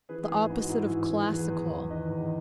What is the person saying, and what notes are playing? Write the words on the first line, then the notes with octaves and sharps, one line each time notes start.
"The opposite of classical."
E3 G#4 B4
G#4 B4
G#2
G#2 F#4
G#2 E4 G#4
E3
E3
E2 G#4 B4
E2
E2
D#3 B4 D#5
E2